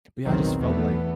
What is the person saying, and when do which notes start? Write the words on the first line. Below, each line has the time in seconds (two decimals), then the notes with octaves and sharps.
but, yeah, I just felt I
0.24 B1 E2 D#3 F#3 C4
0.58 E2 E3 A3 B3